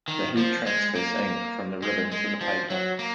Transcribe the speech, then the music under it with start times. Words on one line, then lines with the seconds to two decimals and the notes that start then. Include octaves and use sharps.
The heat transfers ink from the ribbon to the paper.
0.08 D#3
0.37 F3
0.66 G#3
0.95 A#3
1.82 G#3
2.12 G#3
2.41 F3
2.70 F#3
2.99 A#3